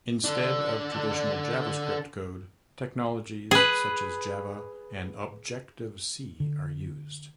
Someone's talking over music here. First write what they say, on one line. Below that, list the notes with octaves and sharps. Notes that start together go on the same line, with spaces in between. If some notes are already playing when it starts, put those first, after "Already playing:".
Instead of traditional JavaScript code, technologies such as Java and Objective-C are used.
D3 D4
G#4 B4
D3